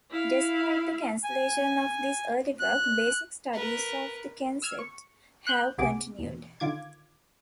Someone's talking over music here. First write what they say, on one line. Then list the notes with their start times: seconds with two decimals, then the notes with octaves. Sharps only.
Despite the cancellation of this early work, basic studies of the concept have continued.
0.11 E4 F5
1.23 G#5
2.59 F#6
3.53 A#4 B4
4.62 E6 F6 G#6
4.79 C#6
5.47 F#6 G6
5.78 C2 C3 B3 G#4 D6
6.19 E2 B2
6.60 D3 D#3 F4 D6 G#6